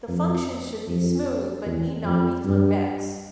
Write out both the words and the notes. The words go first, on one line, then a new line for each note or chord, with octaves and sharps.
The functions should be smooth but need not be convex.
F2
F2
E2
F2
G2